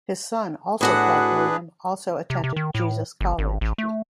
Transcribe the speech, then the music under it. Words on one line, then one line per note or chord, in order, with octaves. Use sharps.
His son, also called William, also attended Jesus College.
A2 D4 F#4 G#4 B4 F#5
C3
C3
D#3
A2
G1
G#1
A1
A3